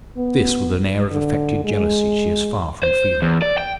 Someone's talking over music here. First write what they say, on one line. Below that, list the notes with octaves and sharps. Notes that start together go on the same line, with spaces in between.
This, with an air of affected jealousy, she is far from feeling.
B3
D3
G#3
C5
E2
D5
G5